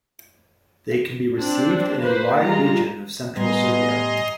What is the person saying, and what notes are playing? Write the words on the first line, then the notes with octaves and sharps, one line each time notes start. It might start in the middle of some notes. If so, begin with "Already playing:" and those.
They can be received in a wide region of central Serbia.
C4 D4
A#3 B4 C5
G3 G#3 F4 A#5
A2 G3 B3 D#5 G#5 A#5 C6